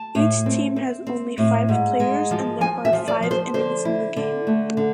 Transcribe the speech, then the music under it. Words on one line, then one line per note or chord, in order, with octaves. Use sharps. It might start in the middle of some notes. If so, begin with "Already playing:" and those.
Each team has only five players and there are five innings in the game.
Already playing: A5
A2
C4
C4
C4
A2
G#2
G#3
F3
F3 G#5
E5
F3
D5
F3
C5
D3 C5
E4
D3
A3
D3